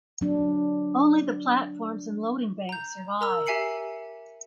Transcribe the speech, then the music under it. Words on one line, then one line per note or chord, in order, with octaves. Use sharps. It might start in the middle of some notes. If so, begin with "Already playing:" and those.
Only the platforms and loading bank survive.
F#3 D4
A#5 G6
A#4 A#5 E6
G4 E5 G#5 C7 C#7 F#7